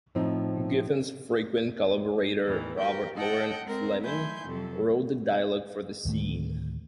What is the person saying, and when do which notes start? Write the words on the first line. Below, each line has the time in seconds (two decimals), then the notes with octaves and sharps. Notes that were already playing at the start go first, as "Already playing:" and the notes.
Giffen's frequent collaborator Robert Loren Fleming wrote the dialogue for the scene.
0.15 A2 F3 C4 D#4
2.44 E2 A2 D#3 E3
2.79 F#4 G4 A#4 G5
3.15 A4 D#5 F#5 G5 A5
3.65 G#3 C4 A#4
4.03 F#3 A3 E4 G#5 C6 G6
4.44 F2 C3 F#3 A4
6.05 D2 A2 D#3 A3